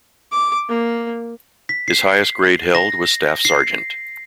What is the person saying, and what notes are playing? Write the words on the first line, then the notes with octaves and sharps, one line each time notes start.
His highest grade held was staff sergeant.
D6
A#3
B6
C7
A#6
C7